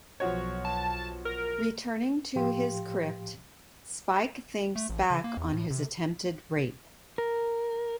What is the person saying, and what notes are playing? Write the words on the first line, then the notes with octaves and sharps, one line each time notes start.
Returning to his crypt, Spike thinks back on his attempted rape.
B1 F3 F#4 C#5
A5
A#4
A2 F3 G4 F5 G5 C6
A3
A1
C#3
A#3
E2
A2
C3
A#4